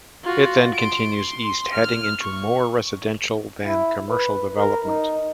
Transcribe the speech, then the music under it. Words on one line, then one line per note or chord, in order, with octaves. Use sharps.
It then continues east, heading into more residential than commercial development.
F4 F#4
C6 D7
C6
F6
C#6
E4
B4
A#4
D#4